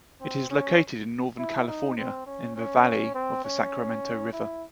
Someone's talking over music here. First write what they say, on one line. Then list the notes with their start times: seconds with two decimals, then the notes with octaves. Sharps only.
It is located in northern California, in the valley of the Sacramento River.
0.21 C4
0.51 C#4
1.39 E4
1.68 D#4
1.98 C4
2.27 C#4
2.56 C#4
3.15 C4
3.44 C#4
4.33 E4